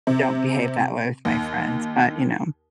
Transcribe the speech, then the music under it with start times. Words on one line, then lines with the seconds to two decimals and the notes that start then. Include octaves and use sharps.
don't behave that way with my friends, but, you know.
0.07 C3
1.25 D#2